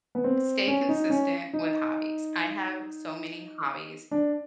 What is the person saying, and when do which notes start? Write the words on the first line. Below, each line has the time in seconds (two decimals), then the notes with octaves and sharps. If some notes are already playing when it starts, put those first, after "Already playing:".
stay consistent with hobbies, I have so many hobbies.
0.15 B3
0.24 C4
0.68 C#4
0.89 D#4
1.10 C#4
1.53 D#4
4.11 D4